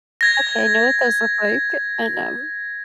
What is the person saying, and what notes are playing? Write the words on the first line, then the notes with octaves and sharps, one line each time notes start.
Okay, I know what those look like and, um
G#6 A#6